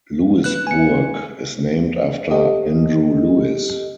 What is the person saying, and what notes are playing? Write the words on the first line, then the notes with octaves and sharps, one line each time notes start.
Lewisburg is named after Andrew Lewis.
B4 F#6
G#5 C#7
G4 A4 D#5